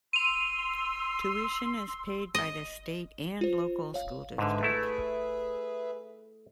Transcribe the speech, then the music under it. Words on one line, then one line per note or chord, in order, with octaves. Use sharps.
Tuition is paid by the state and local school district.
C6 E6 D#7 F7
D#5
F4 C5
C#5 F5
G#2 D3 G#4 B4 E5
A3 E4